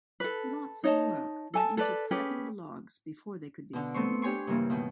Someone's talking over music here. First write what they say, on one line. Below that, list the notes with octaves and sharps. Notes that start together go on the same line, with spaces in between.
Lots of work went into prepping the logs before they could be assembled.
A4 B4
D#4 C#5 D#5 A5
A4 G#5 A5
A4 B4 D5
C#4 G4 G#4 B4
B2 D3
A3 B3 C4 C6 C#6
D4 G4 C#5 G#5 C6 C#6
G2 C#3 E3 A#3
B2 D#3